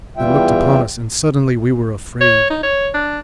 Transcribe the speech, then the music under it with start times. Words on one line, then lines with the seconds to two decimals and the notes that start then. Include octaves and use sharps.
But they looked upon us, and suddenly we were afraid.
0.17 E2 E3 G3 F4 E5 G5
2.21 C#5
2.50 D#4
2.63 C#5
2.94 D4